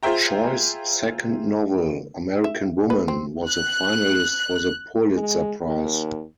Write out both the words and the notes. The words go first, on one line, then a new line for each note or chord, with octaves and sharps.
Choi's second novel, "American Woman", was a finalist for the Pulitzer Prize.
F4 G#4 C5 E5 G5 A#5
E5
B4
C4
F#6
G#3
D#2